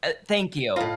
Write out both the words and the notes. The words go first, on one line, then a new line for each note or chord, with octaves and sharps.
Uh, thank you.
A2 F4 D#5